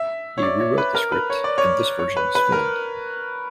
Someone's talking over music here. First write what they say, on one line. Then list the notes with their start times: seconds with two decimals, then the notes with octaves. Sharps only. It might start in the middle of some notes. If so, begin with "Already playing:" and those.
He rewrote the script, and this version was filmed.
Already playing: E5
0.38 C#5
0.43 D5
0.60 C#5
0.78 B4
0.95 A#4
1.12 B4
1.30 C#5
1.44 D5
1.58 C#5
1.99 C#5
2.17 B4
2.35 B4
2.52 A#4